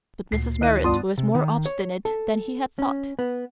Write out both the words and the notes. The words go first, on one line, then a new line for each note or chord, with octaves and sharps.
But Mrs. Merrit was more obstinate than he had thought.
D2 A#2 C7
D#3 E4 D#5 F#6 D#7
C#2 G2 B3 F4 D5 A5 C6 D#6
C3
D#3
C#5
A4
C#4
B3